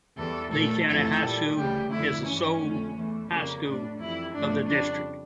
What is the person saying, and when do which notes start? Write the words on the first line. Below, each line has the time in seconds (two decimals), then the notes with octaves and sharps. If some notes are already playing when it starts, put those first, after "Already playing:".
Lee County High School is the sole high school of the district.
0.17 E2 E3 G3 A4
0.51 A#2 A3 A4
0.86 F2 E3 A3 A4
1.22 A#2 G3
1.56 D2 C#3 E3 G3 G4
1.90 F2 D3 A3 E4
2.26 G2 E3 G3 C#4
2.60 F2 D3 A3
2.95 E2 E3 A3
3.29 F2 C#3 G3 A#3
3.64 A2 G3 D4
3.98 F2 E3 G3 E4
4.33 G2 F3 A3 D4
4.68 F2 C#3 G3 D4